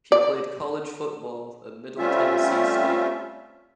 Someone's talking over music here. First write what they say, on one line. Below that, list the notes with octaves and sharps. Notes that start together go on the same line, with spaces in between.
He played college football at Middle Tennessee State.
D5
G3 A3 C4 C#4 F4 E5